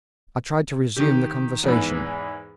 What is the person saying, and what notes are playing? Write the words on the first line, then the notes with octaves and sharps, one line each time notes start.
I tried to resume the conversation.
D#3 G4
E2 G#2 E3